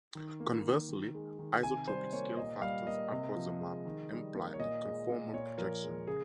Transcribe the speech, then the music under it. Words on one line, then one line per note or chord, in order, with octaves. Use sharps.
Conversely isotropic scale factors across the map imply a conformal projection.
D#3
A#3
D#3
D#3
G#3
D#3
C3 G#5
G3 C5
A#3 C#5
A#2 D#5
G3 F5
A#3 D#5
C3
F3
G#3
D#3
G3
A#3
C#5
A#2 D#5
G#3
A#2
A#2 C#5
F3 A#4
G#3
C#3 G#4